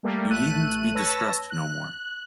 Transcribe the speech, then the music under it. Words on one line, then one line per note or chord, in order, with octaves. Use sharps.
You needn't be distressed no more.
G3 A3 A#3
A1 A3 F#6 D#7
B4 C#5 A5 E6 A#6
F#6